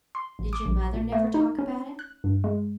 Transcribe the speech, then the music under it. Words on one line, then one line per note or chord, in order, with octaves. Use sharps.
"Did your mother never talk about him?"
C6
A1
D6
A#1
A#2
A3
D#4
C#4
F#6
G2
G#3